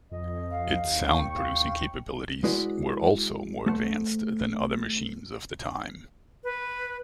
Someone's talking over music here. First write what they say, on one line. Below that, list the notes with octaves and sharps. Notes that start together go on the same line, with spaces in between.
Its sound-producing capabilities were also more advanced than other machines of the time.
F2 D#5
F5
D#2
G5 C#6
F5
G#3 E4 F#4 B4 D5
A3 C5 F#5
B4